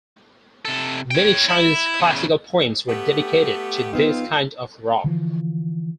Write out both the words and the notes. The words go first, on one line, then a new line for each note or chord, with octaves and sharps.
Many Chinese classical poems were dedicated to this kind of rock.
C3 A4
C#5 G5
E4
E2 C#3
A3 B3 G4
F2 B3 C4 D#4 F4
D3 E3 F3